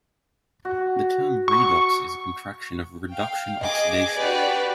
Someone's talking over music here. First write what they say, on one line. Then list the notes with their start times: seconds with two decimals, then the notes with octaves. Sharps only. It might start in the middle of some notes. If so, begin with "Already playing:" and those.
The term "redox" is a contraction of "reduction-oxidation".
0.65 F#4
1.48 C#6
3.11 F5 G5
3.63 G#4 D#5 G#5 D6
4.16 D4 F#4 G4 B4 D5